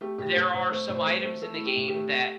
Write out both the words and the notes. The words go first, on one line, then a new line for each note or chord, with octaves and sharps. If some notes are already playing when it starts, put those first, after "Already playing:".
there are some items in the game that
A3 G4
A2 G4
C5
A2 A4
A2 C5
A3 C5
A2
C5
A3
C5
A3
A3 A4
E4
A3
G4
A2
G4
A3
A3